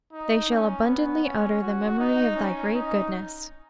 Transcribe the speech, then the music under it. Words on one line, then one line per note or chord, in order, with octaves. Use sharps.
"They shall abundantly utter the memory of thy great goodness."
D#4
C#4
B3
C#4
F#4
D#4
C#4
D#4